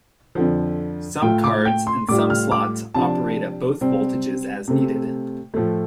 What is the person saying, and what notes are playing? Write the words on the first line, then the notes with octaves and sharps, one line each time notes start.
Some cards and some slots operate at both voltages as needed.
F2 D3 F3
A2 A3 F4 G5
D6
G5
C6
A2 G3 F4 D6
F6
D6
C3 F3 D4 A5
C3 G3 C4
C3 A3 C4
A2 F3 A3